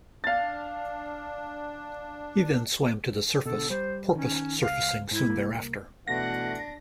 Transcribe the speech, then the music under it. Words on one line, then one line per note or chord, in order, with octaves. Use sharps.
He then swam to the surface, "Porpoise" surfacing soon thereafter.
D4 F5 A6
B2 D3 A4
G3 C5
D#3 C#4
C#2 F5
G#2 E4
C2 A#3
B2 E3 A3 D4 F#5 A#6